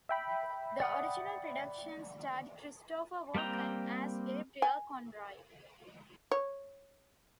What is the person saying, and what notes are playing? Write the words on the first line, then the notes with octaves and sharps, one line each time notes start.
The original production starred Christopher Walken as Gabriel Conroy.
E5 G5 B5
D5 F#5 D#6
G3 A#3 C4 G5 A#5
G#5
C#5